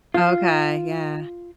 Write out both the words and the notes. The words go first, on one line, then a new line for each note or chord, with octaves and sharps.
Okay, yeah.
F4